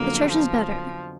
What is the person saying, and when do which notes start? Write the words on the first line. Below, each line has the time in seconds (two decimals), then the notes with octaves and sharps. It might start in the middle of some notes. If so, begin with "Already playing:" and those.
The church is better.
Already playing: F2 D3 F#3 A#3 B3
0.28 F3